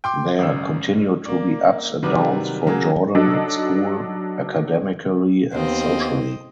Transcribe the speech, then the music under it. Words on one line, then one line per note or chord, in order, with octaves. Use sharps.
There continue to be ups and downs for Jordan at school academically and socially.
G5 C6 D6
G#1 F#2 E6
A#3 D5
C3 D#3 F#3 G3 B4 D6
C#3 F#3 A#3 G#4
F#3 D4 D#4 A4
D#2 B3 C4 D#5